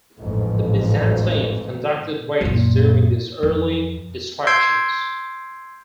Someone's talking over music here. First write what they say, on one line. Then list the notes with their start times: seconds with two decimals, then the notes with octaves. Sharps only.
The Byzantines conducted raids during these early distractions.
0.20 A1 F2 G#2
2.41 F#2 A#2
3.43 F2
4.47 C6 E6 G6 G#6 C7 D7